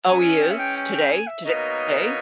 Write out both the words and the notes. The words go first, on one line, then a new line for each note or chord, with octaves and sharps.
Oh, he is? Today? Today today?
E3 G#3 C#4 G#5
G5
E5
G5
G5
G5
G#5
E5
B2 A#3 D#4 A#4 C#5 D#5